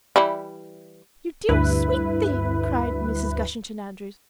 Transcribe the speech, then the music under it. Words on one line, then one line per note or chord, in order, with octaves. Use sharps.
"You dear, sweet thing!" cried Mrs. Gushington-Andrews.
E3 G3 E4
D2 G2 E4 B4